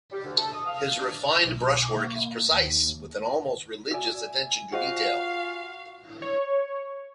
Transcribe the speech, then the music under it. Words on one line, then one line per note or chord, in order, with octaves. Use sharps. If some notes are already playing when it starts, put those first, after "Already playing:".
His refined brushwork is precise, with an almost religious attention to detail.
G3
D2
A4
D#6
F5
D4
B1
A#3
D#2
F#4 D5 E5 G#5
F4 F#4 G#4 C5 D#5 F5
C#5